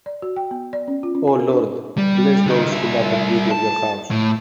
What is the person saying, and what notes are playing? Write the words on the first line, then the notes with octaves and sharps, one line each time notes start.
O Lord, bless those who love the beauty of your house.
D5
F#4
G5
B3
D5
C#4
F4
C#4
G#5
A#4
D4
G3
D3 D#4
G3 E5
A5
A2